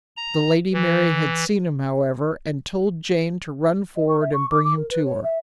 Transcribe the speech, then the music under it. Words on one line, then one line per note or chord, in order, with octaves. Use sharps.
The Lady Mary had seen him, however, and told Jane to run forward and bring him to her.
A#5
E3
D#5
C#6
E5
C#6
D6
D6
A#4
B4
C#5
E5